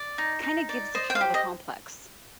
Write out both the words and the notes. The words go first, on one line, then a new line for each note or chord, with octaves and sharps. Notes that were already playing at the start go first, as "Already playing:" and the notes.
kinda gives the child a complex.
Already playing: D5
D#4
D#4
D5
C5 D#5
G5
F5
G4
D#5